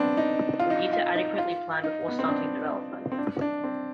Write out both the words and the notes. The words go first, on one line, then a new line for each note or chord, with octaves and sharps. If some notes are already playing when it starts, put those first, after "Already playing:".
We need to adequately plan before starting development.
Already playing: B3 C4 D4
D#4
F4
D#4
F4
D#4
F4
D#4
B3
C4
D4
C4
D4
D4
C4